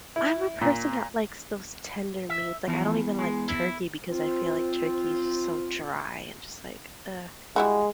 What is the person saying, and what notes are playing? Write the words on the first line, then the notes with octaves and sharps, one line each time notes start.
I'm a person that likes those tender meats, like, I don't even like turkey because I feel like turkey's so dry and just like, ugh,
E4
A#2
E5
E2 E3 F3
G#3
E4
C4 F4
G3 G#3 E4 F#4